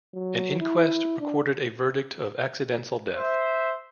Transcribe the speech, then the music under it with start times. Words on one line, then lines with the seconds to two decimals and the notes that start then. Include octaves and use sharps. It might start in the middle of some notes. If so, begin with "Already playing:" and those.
An inquest recorded a verdict of accidental death.
0.14 F#3
0.60 E4
1.20 D4
3.13 C5 E5